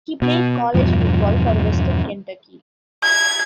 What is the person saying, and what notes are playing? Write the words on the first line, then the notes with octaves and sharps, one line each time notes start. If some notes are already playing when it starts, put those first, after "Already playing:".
He played college football for Western Kentucky.
B2
E2 G2 B2 F3
G#6